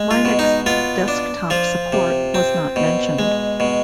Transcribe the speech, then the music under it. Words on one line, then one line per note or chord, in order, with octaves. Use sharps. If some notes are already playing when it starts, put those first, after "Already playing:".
Linux desktop support was not mentioned.
Already playing: G#3
F4
B2
D#4
B3 F4
D4
F3 F4
C3
C4
B2
G#3
B2